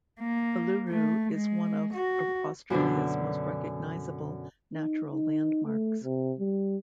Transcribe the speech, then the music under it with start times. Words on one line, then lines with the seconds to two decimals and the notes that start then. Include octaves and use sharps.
Uluru is one of Australia's most recognisable natural landmarks.
0.20 A#3
0.90 A3
1.33 G#3
1.94 F#4
2.70 F#2 B2 D3 D4
4.74 D#4
5.13 D#4
5.66 A3
6.04 C3
6.39 G3